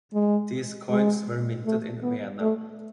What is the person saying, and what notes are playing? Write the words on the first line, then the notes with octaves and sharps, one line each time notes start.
These coins were minted in Vienna.
G#3
G#3
A3
B3
A3